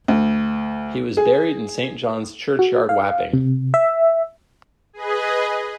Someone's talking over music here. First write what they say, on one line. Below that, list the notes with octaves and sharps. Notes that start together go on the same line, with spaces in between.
He was buried in Saint John's Churchyard Wapping.
D2
G#4
F#4
F5
C3
E5
G#4 B4 D#5